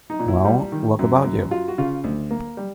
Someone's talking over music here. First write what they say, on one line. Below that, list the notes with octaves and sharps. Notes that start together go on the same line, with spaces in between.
Well, look about you.
D#4
A#2
E4
G3
D#3
F#2
F#2
F#3 F4
F#4
C#3 F4
D2
A#3
G3